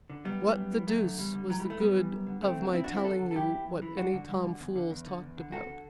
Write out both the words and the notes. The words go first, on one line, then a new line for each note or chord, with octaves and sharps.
"What the deuce was the good of my telling you what any tom-fools talked about?"
D3
F#2 G3 B3
E3
F#2
E3
E2 F#3 A3
D3
E2 G3
D3
A2 F#3
G3
E3
A3
A2 G3 B3
E3
F#2
D3
F#2 A3 C4
D3
E2 C4 E4
D4 F#4
D3
C4 E4
E2 F#4 A4
D3
A4
F#2 E4 G4
E3
F#2
E3
G2 D4 F#4
D3
G2
D3
E2
D3
E2
D3
E2
D3
E2 F#4 A4
D3